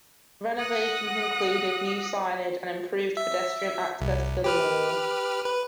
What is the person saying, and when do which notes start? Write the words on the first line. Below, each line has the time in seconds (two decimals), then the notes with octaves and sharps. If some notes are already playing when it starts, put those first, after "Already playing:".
Renovations included new signage and improved pedestrian access to the mall.
0.56 F#5 D#6 F#6 A#6
3.17 E5
4.01 C2
4.44 G4 B4 F6
5.46 B4